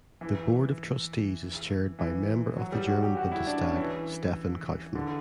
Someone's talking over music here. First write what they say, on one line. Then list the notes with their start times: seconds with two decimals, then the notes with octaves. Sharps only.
The board of trustees is chaired by Member of the German Bundestag Stefan Kaufmann.
0.21 E3
1.99 E3
2.58 F#3
2.72 G3
2.87 F#4
3.02 G4
3.17 F#4
3.32 E4
3.47 D4
3.62 C#4
3.76 E3
4.95 D3